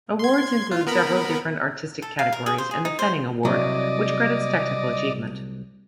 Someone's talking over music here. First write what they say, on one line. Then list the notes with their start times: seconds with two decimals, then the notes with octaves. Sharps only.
Awards include several different Artistic categories and the Fenning Award, which credits technical achievement.
0.19 C6 G#6
0.72 F4
0.87 B3 A#4 B5
2.02 A4
2.19 F5
2.32 A#4
2.46 G#4
2.58 C5
2.71 G#4
2.85 D#4
2.99 C5
3.45 C2 F#3 D5 D#5